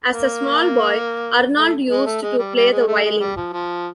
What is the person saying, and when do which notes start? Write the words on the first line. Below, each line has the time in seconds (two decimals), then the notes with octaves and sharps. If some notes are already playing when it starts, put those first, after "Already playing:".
As a small boy, Arnold used to play the violin.
0.09 A#3
1.57 A3
1.90 G#3
2.06 A3
2.22 G#3
2.39 G3
2.55 G3
2.71 G#3
2.88 A3
3.04 G#3
3.20 G3
3.36 F3
3.53 F3